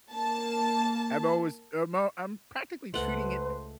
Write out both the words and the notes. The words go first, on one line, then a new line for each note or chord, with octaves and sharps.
I'm always I'm all I'm practically treating it
A#3 A5
C#2 A3 B4 C5 F#5